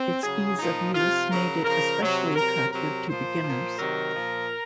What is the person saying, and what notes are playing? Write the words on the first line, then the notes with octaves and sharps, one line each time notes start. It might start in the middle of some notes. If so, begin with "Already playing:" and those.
Its ease of use made it especially attractive to beginners.
Already playing: C4
C#3 F#3 G#4
A#2 F3 D#4
C3 F3 F4
C#3 F#3 A#4
C#3 F3 A#4
C3 F#3
C3 F#3 A#4
C3 F#3 A#4
A#2 F3 C5
A#2 F3
C3 D#3 F#3 A#4
A#2 F3